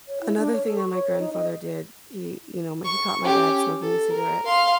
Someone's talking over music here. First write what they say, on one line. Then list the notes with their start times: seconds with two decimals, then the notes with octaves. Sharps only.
another thing that my grandfather did, he, you know, my he caught my dad smoking a cigarette,
0.08 C#5
0.21 E4
0.37 D4
0.53 C#5
0.65 A4
0.78 C#6
0.93 C#5
1.19 D#4
1.33 D#5
2.84 C#6
3.22 C#4 G4
3.82 A4
4.12 A#4
4.46 F5 C6